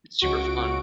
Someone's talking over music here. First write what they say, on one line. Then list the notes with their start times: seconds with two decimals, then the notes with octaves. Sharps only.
it's super fun.
0.21 C#2 F#4 C#6 D7